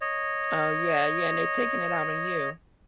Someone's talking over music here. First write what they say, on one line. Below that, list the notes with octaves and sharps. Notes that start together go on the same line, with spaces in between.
Oh yeah, yeah, and they taking it out on you.
C#5 D#5